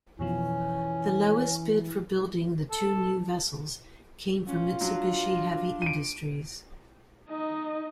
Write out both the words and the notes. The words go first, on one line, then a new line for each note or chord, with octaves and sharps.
The lowest bid for building the two new vessels came from Mitsubishi Heavy Industries.
F2 B2 E3 F3 C#4
A4
C#4 F4
F#3 D4
D7 D#7
D#4 D#5